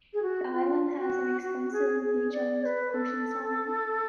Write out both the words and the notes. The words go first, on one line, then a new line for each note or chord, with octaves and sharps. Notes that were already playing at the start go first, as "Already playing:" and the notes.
The island has an extensive beach on its ocean side.
G#4
F#4
F4
F#4
F#4
G#4
G#4
D5
C#5
B4
A4